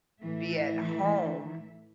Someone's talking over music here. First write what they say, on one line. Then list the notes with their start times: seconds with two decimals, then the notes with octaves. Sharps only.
be at home,
0.20 A2 E3 A3 E5